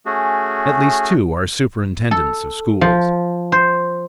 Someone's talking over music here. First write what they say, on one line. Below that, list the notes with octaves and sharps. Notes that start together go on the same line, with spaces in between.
At least two are superintendents of schools.
A3 C#4 F#4 G#4
A4
F3
C5